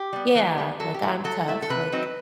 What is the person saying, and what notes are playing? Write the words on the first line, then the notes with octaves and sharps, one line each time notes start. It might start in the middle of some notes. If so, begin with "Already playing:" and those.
yeah, like, "I'm tough," Like,
Already playing: G4
G3 B3
E3
G3 B3
F#3 A4
G4
A3 E4
F#3 A4
A3 E4
A4
C3 B4
F#3 C4 D#4